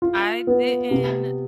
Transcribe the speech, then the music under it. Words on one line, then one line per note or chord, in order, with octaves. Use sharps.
I didn't
F4
B3
C3